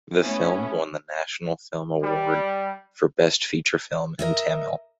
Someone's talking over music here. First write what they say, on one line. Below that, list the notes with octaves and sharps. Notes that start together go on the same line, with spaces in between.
The film won the National Film Award for Best Feature Film in Tamil.
A3 B3 C#4 E4
G3
A#4 D#5 E5